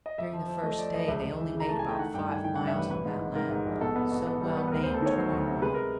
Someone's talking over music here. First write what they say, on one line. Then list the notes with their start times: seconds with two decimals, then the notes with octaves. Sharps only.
During the first day they only made about five miles on that land, so well named Cornwall.
0.06 D#5
0.18 F2 E5
0.33 F3
0.48 F3
0.63 A3 D#5
0.78 F3 D5
0.94 F2 D#5
1.08 C#2 E5
1.24 C#2
1.39 E3
1.54 C#3
1.60 A#5
1.69 A3 A5
1.79 G#5
1.84 A3 G5
1.99 D#3 F#5
2.14 G2 G5
2.30 D#3 G#5
2.44 D#3 G5
2.56 F#5
2.60 G2
2.67 E5
2.75 A1 B4
2.90 A#1 B4
3.05 G#2
3.21 D#3
3.35 G#2 A#4
3.51 G#2
3.66 A#1
3.80 B2 A4
3.96 B3
4.12 B2
4.27 B3
4.42 G3
4.57 B3
4.68 B4
4.72 D2 A#4
4.83 C5
4.86 D2
4.94 A4
5.02 D#3 C#5
5.17 F#3 C5
5.33 D2
5.48 C3
5.62 G#3 B4
5.74 A#4